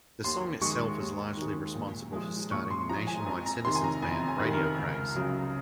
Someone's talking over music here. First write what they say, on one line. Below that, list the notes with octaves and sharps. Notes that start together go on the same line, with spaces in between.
The song itself was largely responsible for starting a nationwide citizens' band radio craze.
D#2 C6
D#3 G#3 C#6
D#2
D#3 G#3
A#2
F3 G#3
A#2 C#6
C6
F3 G#3 A#5
G#5
F2 G#5
A#5
C3 D#3 C6
G#5
A#5
F2 G#5
G#5
C3 D#3
A#4
C#2
C#3 F#3